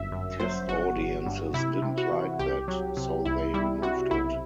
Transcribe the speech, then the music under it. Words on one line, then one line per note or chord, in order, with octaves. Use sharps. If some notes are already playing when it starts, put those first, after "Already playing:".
Test audiences didn’t like that so they removed it.
Already playing: G1 F#2 E5
F#2
F#3 C5
G1 F#4
G1
G2
C3 E4
C3
F#4
E2
C2 G4
F#3
C3
C2 E4
G3 E4
C3 F#4
B1 E4